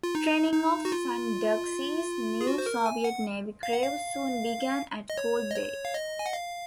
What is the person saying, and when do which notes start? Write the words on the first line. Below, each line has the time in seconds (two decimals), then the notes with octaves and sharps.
Training of "Sanduksy"s new Soviet Navy crew soon began at Cold Bay.
0.03 F4
0.15 D#4
0.53 D#4
0.85 F#4
0.92 F4
2.41 G#4
2.47 F#4
2.58 C5
2.66 A#4
2.86 G#5
3.04 F#5
3.63 F5
3.73 F#5
3.82 F5
5.10 D#5
5.18 C#5
5.51 D#5
5.56 C#5
5.85 F5
5.94 D#5
6.19 G#5
6.26 F#5
6.33 F5